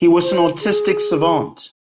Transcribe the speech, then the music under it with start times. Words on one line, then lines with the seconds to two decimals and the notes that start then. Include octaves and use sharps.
He was an autistic savant.
0.23 C5
0.62 G#4